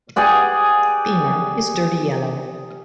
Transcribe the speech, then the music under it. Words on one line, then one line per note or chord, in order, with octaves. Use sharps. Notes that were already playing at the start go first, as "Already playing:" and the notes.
Femur is dirty yellow.
G4 G#4 D5 F#5